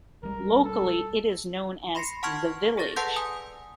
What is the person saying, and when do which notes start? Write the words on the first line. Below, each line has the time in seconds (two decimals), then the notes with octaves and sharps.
Locally, it is known as 'The Village'.
0.23 B1 G3 G#3 A#4
0.64 A4
1.95 B5 C6 A#6 C7 C#7
2.23 F#5 A5 C6 C#6 F6 G#6
2.77 G#4 A4 D5 A6 A#6
2.96 B4 F#5 A5 C6 G6
3.16 G#5 D#6